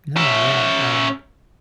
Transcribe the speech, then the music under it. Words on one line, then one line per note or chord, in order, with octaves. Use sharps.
No, yeah, um,
C#4 E5